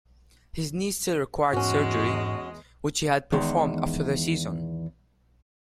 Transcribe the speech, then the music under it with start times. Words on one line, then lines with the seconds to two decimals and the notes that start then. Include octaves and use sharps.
His knee still required surgery, which he had performed after the season.
1.53 E2 G#2 G#3 C#4 F#4 D#5
3.32 E2 D#3 G#3